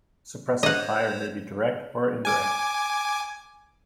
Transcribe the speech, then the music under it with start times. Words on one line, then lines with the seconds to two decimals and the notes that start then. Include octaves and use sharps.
Suppressive fire may be direct or indirect.
0.63 C5 C#5 D#5 F#5
2.25 G#5 D6 G#6